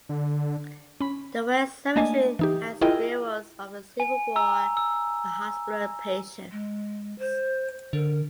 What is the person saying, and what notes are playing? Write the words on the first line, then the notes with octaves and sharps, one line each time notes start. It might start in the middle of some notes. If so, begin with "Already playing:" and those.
The West cemetery has burials from the Civil War and hospital patients.
D3
C#4 B5
A3 A#3 D4 D#5 G#5 A5
E3 D#4 G4
E4 F4 G#4 A#4 D#5 G5
G#5
A#5 E6
E6
G#3
C5
D3 A#4